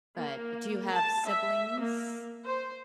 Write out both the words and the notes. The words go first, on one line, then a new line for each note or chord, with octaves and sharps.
But, do you have siblings?
A#3
A5
E5
A#3
C5